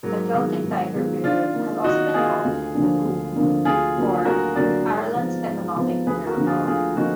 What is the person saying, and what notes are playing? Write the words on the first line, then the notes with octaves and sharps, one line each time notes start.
The Celtic Tiger period has also been called "The Boom" or "Ireland's Economic Miracle".
G#2 F#3 A#3
D#3 G#3 B3 F4
G#2
D#3 G#3 B3 F4
D#3 D4 F4
A#3 D#4
D#3 D#4 F#4
A#3 D#4 F4 G#4
D2
D3 F3 A#3 D4
D2
D3 F3 A#3 D4
D2 F4 G#4
D3 F#3 A#3 F4
D2 F#4 A#4
D3 F#3 A#3 F4 A#4 D5
G#2
F3 B3
G#2
F3 B3
D2 G#4 B4
F#4 A#4
D3 F3 A#3
F4 G#4
D2 F4 G#4
D3 F3 A#3 D#4 F#4